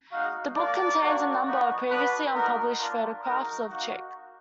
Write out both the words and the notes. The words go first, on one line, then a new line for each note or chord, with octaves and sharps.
The book contains a number of previously unpublished photographs of Chick.
G#3 D#4 F#4 F5
A#3 D4 F#4 D5
A#3 D4 F#4
B3 D#4 F#4
B3 D4 F#4 B4
B3 D#4 F#4 A#4
A#3 D4 F4 A#4
G#3 D#4 F#4 A#4
A#3 D#4 F#4